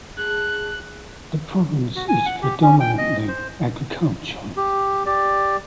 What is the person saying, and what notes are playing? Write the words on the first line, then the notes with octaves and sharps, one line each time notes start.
The province is predominantly agricultural.
G#4 A5 F#6
F#4
G#5
F#5
G4
C#4
G5
D#5
C5
G4
G4 D5